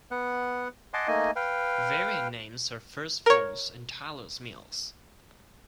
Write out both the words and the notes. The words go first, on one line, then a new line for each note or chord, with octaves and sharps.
Variant names are First Falls and Tyler's Mills.
B3 F#5
D#5 F#5 G#5 A5 C6 D6
A3 A#3 D#4 D#5 G#5
B4 F5 G5
A#4 C#5